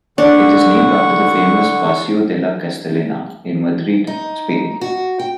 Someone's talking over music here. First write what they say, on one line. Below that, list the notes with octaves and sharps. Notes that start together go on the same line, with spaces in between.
It is named after the famous "Paseo de la Castellana" in Madrid, Spain.
D3 D4 F#5 C#6
D#4
F#4
G5